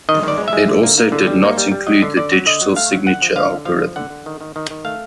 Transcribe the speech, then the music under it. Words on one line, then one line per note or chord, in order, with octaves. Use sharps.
It also did not include the Digital Signature Algorithm.
D#3 D#5
D#3 D5
G#3
E5
G#3
D3
A#3
A#3
D3
G3
A#3
G3
G3
F#3 D#5
D3
D3 D5
F#3
D3 D#5
F#3
A3 F5
F#3
D3 F#5
F3
D3 F5
D3
F3 F5
D3
D3 F#5
D3
D#3
D#3
D#3
D#3
A3 F5